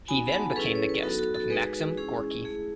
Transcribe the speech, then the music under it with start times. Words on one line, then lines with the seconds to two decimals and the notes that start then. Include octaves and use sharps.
He then became the guest of Maxim Gorky.
0.08 B3 D#4 F#4 G#5 B5
0.26 B5
0.32 F#5 A5
0.51 A4
0.56 F#3 C#4 E4 G#4 B4
0.75 C#5
0.89 B4
1.03 F#3 B3 D#4 F#4 A4
1.19 F#4 A4
1.34 F#4 A4
1.50 G#3 D#4 F#4 G#4 B4
1.97 G#3 C#4 E4 G#4
2.45 A3 E4 G#4